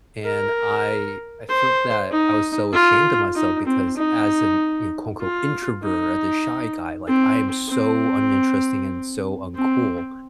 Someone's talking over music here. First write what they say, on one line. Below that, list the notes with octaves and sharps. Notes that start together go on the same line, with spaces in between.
And I I felt that I was so ashamed of myself because as an, you know, quote, unquote "introvert," as a shy guy, like, I am so uninteresting and so uncool
A#4
C5
D#4
F4
D#4
C4
D#4
F4
D#4
C4
C4
C4